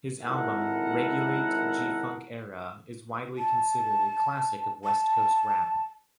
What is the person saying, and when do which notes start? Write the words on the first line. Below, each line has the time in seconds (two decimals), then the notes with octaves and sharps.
His album "Regulate...G Funk Era" is widely considered a classic of West Coast rap.
0.24 G#1 E4 A4 A#4 F#5
3.38 A5
4.84 A5